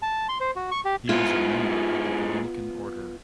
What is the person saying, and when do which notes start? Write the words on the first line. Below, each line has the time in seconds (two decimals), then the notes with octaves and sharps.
He was a member of the Dominican Order.
0.02 A5
0.29 C6
0.40 C5
0.56 F#4
0.71 C#6
0.85 G4
1.09 G#2 B3 E4 F4